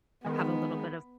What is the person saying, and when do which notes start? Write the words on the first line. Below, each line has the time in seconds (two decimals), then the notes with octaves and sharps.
Have a little bit of
0.25 D#3 G#3 B3